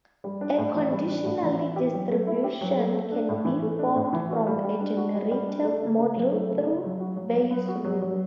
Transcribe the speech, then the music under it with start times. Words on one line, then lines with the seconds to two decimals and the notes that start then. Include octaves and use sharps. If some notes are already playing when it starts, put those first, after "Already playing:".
A conditional distribution can be formed from a generative model through Bayes' rule.
0.24 G3
0.41 D4
0.58 A2
0.75 E3
0.91 G3
1.09 D4
1.25 A2
1.43 E3
1.59 E4
1.76 G4
1.93 F#3
2.10 A3
2.27 E4
2.44 G4
2.61 F#3
2.78 A3
2.94 A3
3.12 D4
3.29 A2
3.45 E3
3.62 A3
3.79 D4
3.96 A2
4.13 E3
4.29 F#4
4.47 G3
4.64 G3
4.80 D4
4.97 F#4
5.14 G3
5.31 G3
5.48 D4
5.64 A3
5.81 C#3
5.99 C#3
6.16 F#3
6.32 A3
6.49 C#3
6.66 C#3
6.84 F#3
7.00 F#4
7.17 F#3
7.34 F#3
7.51 B3
7.68 F#4
7.85 F#3
8.02 F#3